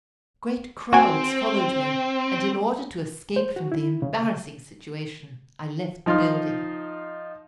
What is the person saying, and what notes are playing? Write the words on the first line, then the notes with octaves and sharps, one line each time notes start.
Great crowds followed me, and in order to escape from the embarrassing situation I left the building.
C4 F#4 G#5
C5
F#4
E4
C#3
F3 D#4 F4 C6 F6